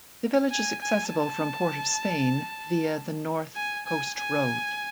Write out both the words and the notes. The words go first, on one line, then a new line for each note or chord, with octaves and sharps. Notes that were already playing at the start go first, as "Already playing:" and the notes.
The village is accessible from Port of Spain via the North Coast Road.
G#5
G#5
A5
G#5
G#5
G#5